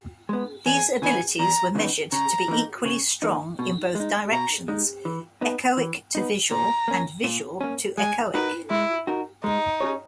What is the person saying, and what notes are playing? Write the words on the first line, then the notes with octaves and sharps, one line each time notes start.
These abilities were measured to be equally strong in both directions, echoic-to-visual, and visual-to-echoic.
G#3 B3
E2 G#5
C#3 E3 B3 D#4 G#5
E2 A#5
C#3 E3 B3 D#4
C#3 A#5
E3 A#3 D#4
C#3
E3 A#3 D#4
B2
G#3 D#4
B2 A#5
G#3 D#4
E3
B3 D#4
E3
B3 D#4
A#2 A#5
A#3 C#4
A#2
A#3 C#4
G#3 G#5
D#4 F#4 A#4 B4
G#3 E4
D#4 F#4 A#4
G#3 D#4
C#4 G#4 C#5